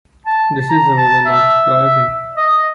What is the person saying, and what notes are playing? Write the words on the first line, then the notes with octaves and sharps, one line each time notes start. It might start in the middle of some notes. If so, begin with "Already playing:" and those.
This is, however, not surprising.
A5
A#5
A5
E5
D#5